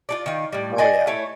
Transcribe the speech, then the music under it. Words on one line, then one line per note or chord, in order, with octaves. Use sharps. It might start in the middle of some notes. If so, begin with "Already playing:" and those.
Oh, yeah.
F4 A4 D5
D#3 F4
A2 G3
D5 D#5 G#5
A3 E4 C#5